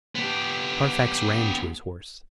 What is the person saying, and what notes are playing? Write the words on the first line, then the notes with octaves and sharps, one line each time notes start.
Carfax ran to his horse.
B3 G4